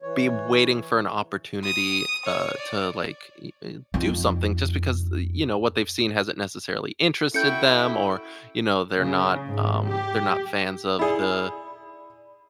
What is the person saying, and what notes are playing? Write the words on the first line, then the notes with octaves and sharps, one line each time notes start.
be waiting for an opportunity, uh, to, like, i eh, do something just because, i you know, what they've seen hasn't necessarily interested them or, you know, they're not, um they're not fans of the,
E3 C#5
D#6
C#5
D5
F2 D#4
C#4 E4 F#4 A4 G5 G6 C#7
C#3
G#2
G4
E4 G#4 D5 B5